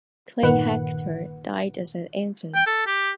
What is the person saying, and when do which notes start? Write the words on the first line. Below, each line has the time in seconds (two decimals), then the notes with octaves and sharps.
Clay Hector died as an infant.
0.43 G1 A#2 D#3 B4 F#5
2.55 G5
2.66 A4
2.86 G4